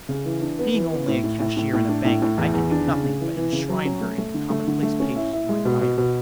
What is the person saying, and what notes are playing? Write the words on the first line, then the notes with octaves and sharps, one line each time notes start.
Being only a cashier in a bank, I can do nothing but enshrine her in the commonplace pages of my diary.
C#3
E3
D4
B3
E3
B3
A2
A2
A2
A2
A2
D4
A2
A2
E2
E2
D4
C#3
C#3
E3
E3
C#3
F#3
C#4
A3
A3
D3
A3
D3
A3
C#4
E4
E4
G#3
B2
B2
B2